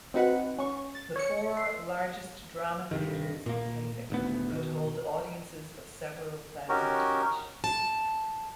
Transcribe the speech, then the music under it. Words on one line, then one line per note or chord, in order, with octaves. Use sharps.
The four largest drama theatres in Kaifeng could hold audiences of several thousand each.
C4 D#4 F#4 B4 F#5
C#4 C#6
A6
C#5 C#7
C6
G2 C3 D#3
A#2 A#3
D#1 D2 B3
B2 D#3
C#4 D#4 F#4 G4 A#4
A5